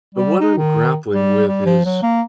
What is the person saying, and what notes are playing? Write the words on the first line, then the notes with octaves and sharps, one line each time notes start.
but what I'm grappling with is
G3
D#4
D#3
G3
G3
F3
F#3
A#3